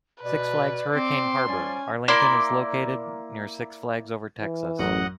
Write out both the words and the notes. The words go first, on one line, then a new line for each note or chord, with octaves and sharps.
Six Flags Hurricane Harbor, Arlington is located near Six Flags Over Texas.
B2 B4 D5
C4 C6 D6
F3 G3 C#4 D5 G#5
A#3 E4 D5 C6
E3
A1 F#2 F#3 D#5 F#5